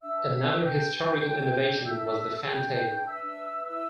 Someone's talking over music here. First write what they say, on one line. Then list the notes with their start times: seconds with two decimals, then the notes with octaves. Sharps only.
Another historical innovation was the fantail.
0.02 D4 E5 E6
0.17 B4
0.33 D4
0.47 D4
0.62 D4 G5 G6
0.78 B4
0.93 G4
1.08 D4
1.24 A4
1.39 D4
1.54 A4
1.70 D4
1.85 A4 E5 E6
2.01 D4
2.15 A4
2.30 D4
2.45 D4 G5 G6
2.61 D4
2.76 B4
2.91 D4
3.06 B4 E5 E6
3.21 D4
3.37 B4
3.52 B4
3.67 E4 E5 E6